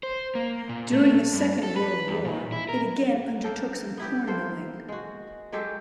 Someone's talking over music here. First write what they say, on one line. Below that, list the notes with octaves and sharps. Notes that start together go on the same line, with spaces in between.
During the Second World War it again undertook some corn milling.
C5
A#3
A#2
A3
G2
A4
B4
E2
A#2
E4
A#4
A#3 A4 G5
B3 E4 G4
A#3 A4 C5
G#3 F#4
F#3 G#3 G4 A4